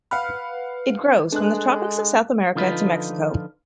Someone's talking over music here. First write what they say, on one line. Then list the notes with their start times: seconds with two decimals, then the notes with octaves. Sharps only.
It grows from the tropics of South America to Mexico.
0.11 B4 F5 F#5 F6
1.32 G#3 D4 A4 F#6
2.55 D3 F3 D#4 F4 B4